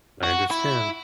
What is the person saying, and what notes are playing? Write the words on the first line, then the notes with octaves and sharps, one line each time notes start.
I understand.
F#4
E4